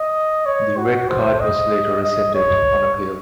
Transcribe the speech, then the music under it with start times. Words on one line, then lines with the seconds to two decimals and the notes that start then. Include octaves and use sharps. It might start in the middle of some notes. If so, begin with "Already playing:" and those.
The red card was later rescinded on appeal.
Already playing: D#5
0.46 C#5
0.77 F#4
1.08 C5
1.40 D#5
2.03 D#5
2.35 C#5